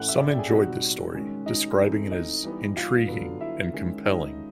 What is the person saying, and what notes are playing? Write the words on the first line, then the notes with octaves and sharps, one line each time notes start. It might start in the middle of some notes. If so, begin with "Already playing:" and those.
Some enjoyed the story, describing it as "intriguing" and "compelling".
Already playing: A2 E3 A3 C#4 F#5 F#6
E5 E6
D5 D6
D5 D6
G5
G#4 G#5
B2 G3 C4 D#4 F#4 F#5
D#3 G#3 C#4
D#4 D#5
E3 A3 C4 D#4
D#4 D#5
E3 G3 B3
F4 F5
D3 F#3 B3
E4 E5
D#3 G#3 C#4
D#4 D#5